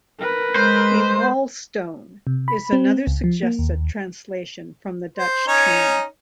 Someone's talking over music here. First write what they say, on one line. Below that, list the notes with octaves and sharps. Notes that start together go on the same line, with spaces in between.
A "wall stone" is another suggested translation from the Dutch term.
A#4 B4
G#3 C5
C3
B5
C4
C#2
F3
A#3
D#2
C5
C#4 D#4 C#5